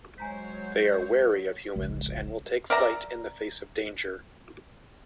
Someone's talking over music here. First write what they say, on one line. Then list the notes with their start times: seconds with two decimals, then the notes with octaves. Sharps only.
They are wary of humans and will take flight in the face of danger.
0.18 F#3 G#3 C5 C#5 G#5 A#5 B6
1.76 D1 A#1 C#3 G#3
2.70 A#4 D5 E5 A#5